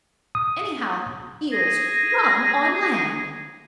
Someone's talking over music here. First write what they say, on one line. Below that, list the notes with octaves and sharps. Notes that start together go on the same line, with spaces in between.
"Anyhow, Eels run on land."
D#6
G#4 A#6